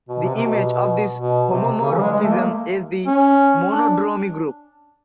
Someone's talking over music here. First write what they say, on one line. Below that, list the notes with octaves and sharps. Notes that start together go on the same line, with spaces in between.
The image of this homomorphism is the monodromy group.
B2
C3
C3
B2
B2
C3
C#3
E3
G3
G#3
G#3
A3
A#3
C#4
D4